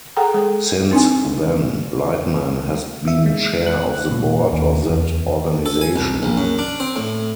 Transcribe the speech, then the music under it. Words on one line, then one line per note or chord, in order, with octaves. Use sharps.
Since then, Lightman has been chair of the board of that organization.
G#4 A4 F#5 G5 A#5
G#3 G#4
C4 D4 D#4 G#5
E5
G#3
F#6
A#2
D#2
E2
A4
G#5
C2
A#1
F#2
D4
C4
A2